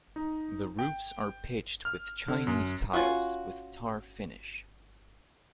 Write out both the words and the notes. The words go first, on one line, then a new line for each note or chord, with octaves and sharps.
The roofs are pitched with Chinese tiles with tar finish.
D#4
G5
F6
D3
F#2
C#4 F4 F#4